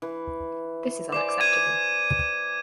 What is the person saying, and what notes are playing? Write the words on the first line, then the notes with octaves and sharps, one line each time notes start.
This is unacceptable.
E3
C5 D5 G#5 D6
G#6 D#7